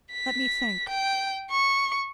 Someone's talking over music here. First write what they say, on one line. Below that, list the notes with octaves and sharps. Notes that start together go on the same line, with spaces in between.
"Let me think."
B6
G5
C#6